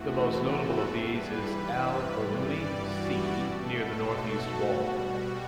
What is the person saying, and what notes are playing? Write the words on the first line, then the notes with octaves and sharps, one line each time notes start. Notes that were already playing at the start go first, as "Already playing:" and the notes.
The most notable of these is Al-Biruni C near the northeast wall.
Already playing: E2 C3 E3 A3 F#4
A4
G2 E3 G3 B4
G2 E3 G3 D5
F#4
B2 A3 A4
F#4
B2 G3